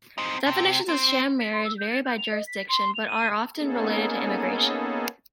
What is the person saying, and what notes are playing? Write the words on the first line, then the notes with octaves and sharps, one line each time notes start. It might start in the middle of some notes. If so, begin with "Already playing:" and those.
Definitions of sham marriage vary by jurisdiction, but are often related to immigration.
C4 D#4
C3
C4
B6
C6
E6
G6
A6
G6
F7
D#5
B6
C6
F7
D#7
A#3 B3 C#4 D#4 G#4 A4